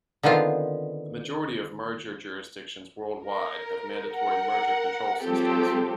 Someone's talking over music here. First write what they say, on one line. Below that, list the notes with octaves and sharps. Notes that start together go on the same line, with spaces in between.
The majority of merger jurisdictions worldwide have mandatory merger control systems.
D3 D#3 B3 C4 F4
A#4
A#4 F#5
F#3 G#3 C4 F4 G4 A4